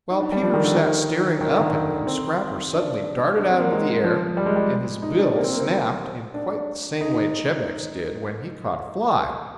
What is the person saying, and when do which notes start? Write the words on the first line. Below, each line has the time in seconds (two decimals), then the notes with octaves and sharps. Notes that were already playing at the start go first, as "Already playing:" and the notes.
While Peter sat staring up at him Scrapper suddenly darted out into the air, and his bill snapped in quite the same way Chebec's did when he caught a fly.
0.10 D#4
0.21 D4
0.32 G3
0.43 F3
0.54 D#3
0.64 D3
0.75 D#3
1.41 D#3
1.51 D3
1.61 D#3
2.07 C4
2.73 D4
3.39 D4
3.49 C4
3.60 A#3
3.72 G#3
4.04 F3
4.37 G3
4.46 G#3
4.56 G3
5.02 D#4
5.19 D4
5.36 A#3
5.44 C4
5.53 A#3
5.60 C4
6.34 D4
7.01 D#4